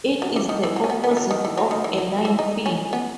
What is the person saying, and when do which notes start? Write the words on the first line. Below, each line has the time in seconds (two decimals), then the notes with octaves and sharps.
It is the opposite of a line feed.
0.22 F#3
0.36 E3
0.49 D#3
0.63 E3
0.76 F#3
0.84 C#4
0.90 B3
1.04 B3
1.11 E3
1.17 F#3
1.31 D#3
1.45 E3
1.58 F#3
1.71 D#3
1.84 E3
1.98 F#3
2.25 E3
2.39 D#4
2.66 C#4
2.93 B3